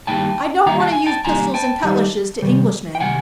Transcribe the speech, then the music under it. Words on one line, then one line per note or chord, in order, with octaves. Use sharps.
I don't want to use pistols and cutlashes to Englishmen.
D#3 G3 A#3 D#4 G5 A5
D#3 G3 A#3 D#4 A#5
A5
G#5
G5 A5
D#3 G3 A#3 D#4 G#5 A#5
G5 A5
D#3 G3 A#3 D#4
C3 D#3 G3
G5
C3 D#3 F#5 G#5